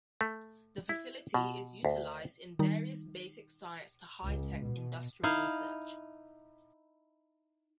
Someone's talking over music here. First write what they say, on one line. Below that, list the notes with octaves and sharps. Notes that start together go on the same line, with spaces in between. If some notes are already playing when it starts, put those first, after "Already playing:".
The facility is utilized in various basic science to high-tech industrial research.
A3
E4
B2
D2
D#3 G3 D#4
C#2
B2
D#4 E4 F5